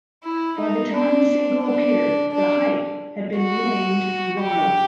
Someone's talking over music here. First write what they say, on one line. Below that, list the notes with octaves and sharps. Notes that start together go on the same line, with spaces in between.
By the time a single appeared, The Hype had been renamed Ronno.
E4
D#4
D4
D4
D4
F#4
G4